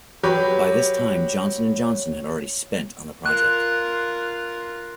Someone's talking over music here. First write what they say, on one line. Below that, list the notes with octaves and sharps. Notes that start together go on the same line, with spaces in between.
By this time, Johnson and Johnson had already spent on the project.
F#3 G4 B4 C#5
F4 A#4 F#6